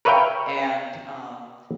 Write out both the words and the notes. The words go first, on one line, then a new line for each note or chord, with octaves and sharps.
And, um,
A#4 B4 C#5 E5 F5 G5